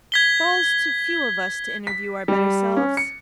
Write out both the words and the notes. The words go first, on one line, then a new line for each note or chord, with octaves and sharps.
It falls to few of us to interview our better selves.
G#6 B6 G7
B6
G3
C#4
C#7